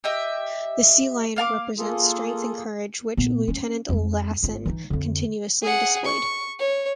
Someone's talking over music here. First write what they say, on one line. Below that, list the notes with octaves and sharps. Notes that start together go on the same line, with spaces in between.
The sea lion represents strength and courage which Lieutenant Lassen continuously displayed.
G4 D#5 E5 G5
A#3 F5 A5 D6
A#3 F4 G#4 A4
A#2 B3
C#4 D4
F2 G#3
G#1 F4
E3 D#4
F2 D3
G#4 F#5
C#6
C#5